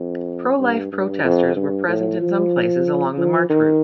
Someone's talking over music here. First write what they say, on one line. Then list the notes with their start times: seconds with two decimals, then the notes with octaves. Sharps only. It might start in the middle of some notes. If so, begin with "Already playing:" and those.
Pro-life protesters were present in some places along the march route.
Already playing: F2
0.60 G2
0.92 G2
1.24 F2
1.56 G2
1.88 A2
2.21 F3
3.18 F3
3.49 D#3